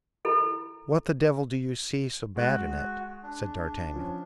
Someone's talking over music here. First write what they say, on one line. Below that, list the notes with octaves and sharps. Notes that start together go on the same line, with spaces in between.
"What the devil do you see so bad in it?" said d'Artagnan.
E4 A4 B5
G#3 F#4 F#6
D4
F3 C#4